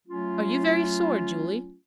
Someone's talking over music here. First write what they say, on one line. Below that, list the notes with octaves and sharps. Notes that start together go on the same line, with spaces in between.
"Are you very sore, Julie?"
F#3 A3 C#4 F4